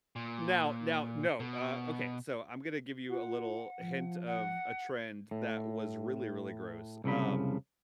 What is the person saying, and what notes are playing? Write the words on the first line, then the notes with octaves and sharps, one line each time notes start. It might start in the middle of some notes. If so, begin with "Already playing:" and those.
now now no, uh, okay, so I'm gonna give you a little hint of a trend that was really, really gross, um,
A#2
B2
F4 F#5
F3
F#5
A2
C2 C#3 F3 F#3 B5